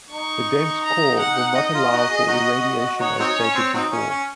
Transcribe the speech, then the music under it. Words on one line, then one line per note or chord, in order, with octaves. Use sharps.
The dense core will not allow for irradiation as stated before.
D#4 C#6
A#5
F#5
D#4 D#5
F4
D#4 F#4
G#4
D#4 F#4
D#4 F#4 C#5
F#3 C4 D#4
C#4
C4
F#3 C4 D#4
C#4
C#4